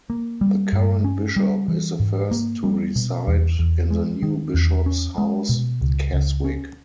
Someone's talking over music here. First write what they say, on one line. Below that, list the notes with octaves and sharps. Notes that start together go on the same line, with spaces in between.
The current bishop is the first to reside in the new Bishop's House, Keswick.
A#3
G3
G2
C#4
G3
E3
G#2
A#3
G3
B2
E2
E2
G#3
D#3
E2
C#4
G#3
B2
C#2
C#2
C#4